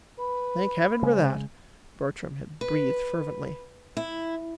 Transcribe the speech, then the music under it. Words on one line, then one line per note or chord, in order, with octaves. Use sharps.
"Thank heaven for that!" Bertram had breathed fervently.
B4 B5
C#3 G#3 C5
B4
E4